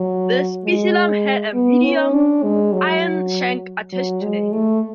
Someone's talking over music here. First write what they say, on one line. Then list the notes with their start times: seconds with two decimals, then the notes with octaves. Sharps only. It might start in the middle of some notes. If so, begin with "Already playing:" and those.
The spiculum had a medium iron shank attached to the head.
Already playing: F#3
0.65 G#3
1.54 B3
1.84 C#4
2.14 D4
2.43 G#3
2.73 F#3
3.92 F#3
4.22 G#3
4.52 A3